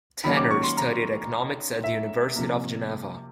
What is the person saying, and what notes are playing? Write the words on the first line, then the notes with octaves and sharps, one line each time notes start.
Tanner studied economics at the University of Geneva.
D#3 F#3 A#3 C#4 B5
D6
C#6
C6
A#5
E5
C3 F3 A#3